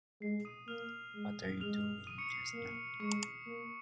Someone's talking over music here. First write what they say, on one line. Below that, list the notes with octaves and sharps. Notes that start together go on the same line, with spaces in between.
What are you doing just now?
G#3 C7
D#6 D#7
A#3 F6 F7
G#3
G#3 F6 F7
D#6 D#7
C#6 C#7
C7
C7
A#3
G#3 C#6 C#7
A#3